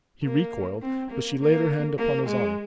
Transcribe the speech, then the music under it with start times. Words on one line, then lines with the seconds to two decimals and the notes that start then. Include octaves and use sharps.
He recoiled, but she laid her hand upon his arm.
0.23 A#3
0.82 C4
1.11 A#3
1.40 A#3
1.98 A#3
2.27 G#3